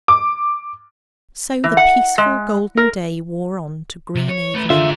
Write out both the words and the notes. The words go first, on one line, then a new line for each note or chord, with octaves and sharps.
So the peaceful, golden day wore on to green evening.
D6
E3
F#5
G#3
A#4
C3
C#5
A3 B4
D3 F4 G#4 C5 E5